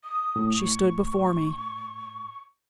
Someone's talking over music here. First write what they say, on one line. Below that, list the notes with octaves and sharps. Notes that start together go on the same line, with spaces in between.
She stood before me.
D#6
A2
C#6